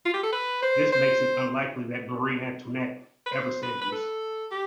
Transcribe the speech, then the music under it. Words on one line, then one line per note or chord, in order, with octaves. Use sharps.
This makes it unlikely that Marie-Antoinette ever said this.
F4
G4
A4
B4
C5
C5
B4
C5
B4
B4
A4
G4